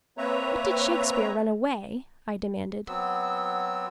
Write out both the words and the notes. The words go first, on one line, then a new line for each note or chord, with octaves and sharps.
"But did Shakespeare run away?" I demanded.
A#3 C4 B4 C#5 E5 A#5
F#3 B3 C4 E6